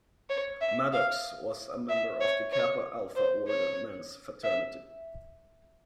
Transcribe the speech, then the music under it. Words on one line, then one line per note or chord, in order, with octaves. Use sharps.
Maddox was a member of the Kappa Alpha Order men's fraternity.
C#5
E5
F5
E5
C#5
C#5
C5
C#5
E5